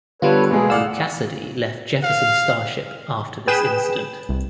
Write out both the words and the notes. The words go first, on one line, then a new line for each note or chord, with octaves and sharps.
Casady left Jefferson Starship after this incident.
D3 G3 B3 F4 A4 B4 C#5
B2 G#3 A#3 G#4
A2 D5 F5 F#5 E6 F6
F5
G#4 B4 G5 E7
C2